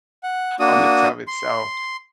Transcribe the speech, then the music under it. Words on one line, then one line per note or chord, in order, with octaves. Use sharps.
on the tub itself
F#5
A#3 D4 F#4 D#6
C6